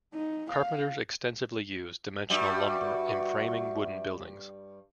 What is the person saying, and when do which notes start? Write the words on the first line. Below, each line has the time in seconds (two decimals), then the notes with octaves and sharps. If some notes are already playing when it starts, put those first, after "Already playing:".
Carpenters extensively use dimensional lumber in framing wooden buildings.
0.14 D#4
0.51 F5
2.30 G2 G3 F#4 E5